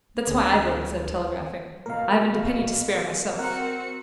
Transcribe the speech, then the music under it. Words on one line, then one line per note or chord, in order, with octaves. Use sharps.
"That's why I wrote instead of telegraphing; I haven't a penny to spare myself!"
D2 C4 D4 G#4
B2 A#4 F5
C4 F#4 A#4 F#5 C#7